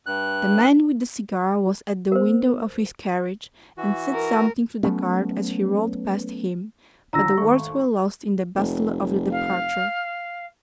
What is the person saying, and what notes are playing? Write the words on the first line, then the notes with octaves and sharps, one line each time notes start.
The man with the cigar was at the window of his carriage, and said something to the guard as he rolled past him, but the words were lost in the bustle of the departure.
G2 F#6
B3 A#4 C5
E3 F#4
A#4
F#3 A3 B3 C#4
D#2 A#2 D3 A#5 E6 A#6
G#1 A3 C#6
F1
F5